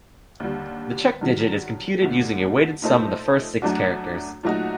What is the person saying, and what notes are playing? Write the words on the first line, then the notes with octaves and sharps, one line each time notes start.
The check digit is computed using a weighted sum of the first six characters.
D#2 D3 G3
G2 D#3 F#3
D#2 D3 A3
A#2 A3 D#4 A4 C5
F#2 F#3 A3 D4 F#4
A#2 F#3 A3 D#4 F#4